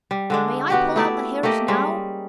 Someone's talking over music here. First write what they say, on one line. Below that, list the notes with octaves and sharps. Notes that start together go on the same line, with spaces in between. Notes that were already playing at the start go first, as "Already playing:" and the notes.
"May I pull out the hairs now?"
G3
D3 G#3 D4
B3 F#4 G4
A3 E4 D5
A3 A#3 G4 D#5
G3 G#3 C#4